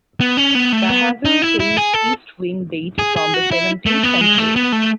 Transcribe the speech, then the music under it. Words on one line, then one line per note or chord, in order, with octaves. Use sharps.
The heavily changed east wing dates from the seventeenth century.
B3
C#4
B3
A3
B3
D#4
E4
E4
G#4
A4
G#4
G#4
F#4
E4
A3
B3
G#3
A3
B3
A3